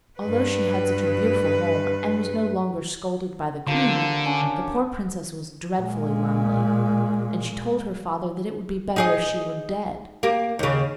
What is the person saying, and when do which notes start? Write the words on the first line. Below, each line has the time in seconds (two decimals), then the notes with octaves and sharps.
Although she had such a beautiful home, and was no longer scolded by the queen, the poor princess was dreadfully lonely, and she told her father that it would be better if she were dead.
0.20 G2 B4
3.67 D3 F3 G4 A#4
4.25 C#4 D4
5.79 A#2 G#3
8.96 D#4 G#4 D#5
10.23 A#3 G4
10.59 D#2 C#3